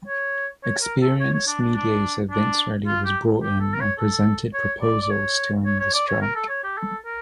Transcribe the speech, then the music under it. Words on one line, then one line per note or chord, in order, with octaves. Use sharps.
Experienced mediator Vince Ready was brought in and presented proposals to end the strike.
C#5
C#5
A#4
A4
C#5
C#5
D4
D4
D4
D4
F4
G4
G4
A4
A#4
C#5
A4
C#5
D5
D5
C#5
C#5
C#5
D5
C#5
A#4
A4
C#5
G4
A4
A#4